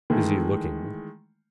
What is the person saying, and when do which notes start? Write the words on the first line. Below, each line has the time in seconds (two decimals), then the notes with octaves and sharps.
Busy looking.
0.10 D#3 E3 G#3 A3